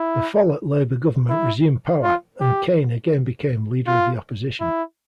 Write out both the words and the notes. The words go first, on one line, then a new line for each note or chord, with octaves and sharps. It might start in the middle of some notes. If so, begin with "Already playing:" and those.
The Follett Labor government resumed power, and Kaine again became Leader of the Opposition.
Already playing: E4
E4
F4
G4
F4
E4